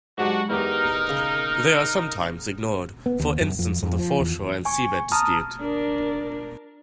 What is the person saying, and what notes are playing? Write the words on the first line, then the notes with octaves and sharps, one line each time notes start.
They are sometimes ignored, for instance in the foreshore and seabed dispute.
G#2 F#3 D4 F#4 G4
E2 D#4 G4 A#4 F6
C#3
B3
D#2
F#2
F2
F2
F3
E2
G#5 C#6
A5 A#5 D#6 F6
D4 A#4